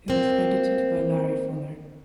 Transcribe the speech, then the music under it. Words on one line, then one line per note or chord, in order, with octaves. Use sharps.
It was edited by Larry Fuller.
A#3 C4